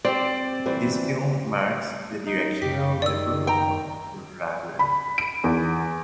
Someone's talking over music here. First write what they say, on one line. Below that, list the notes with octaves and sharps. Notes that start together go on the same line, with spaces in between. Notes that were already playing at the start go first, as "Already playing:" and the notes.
This film marks the directorial debut of Raghuram.
C4 G4 D5
E3 G3 C5
D#4
F#2 G4 B6
D#3 D5 E6
G5 A#5
B5
D7
E2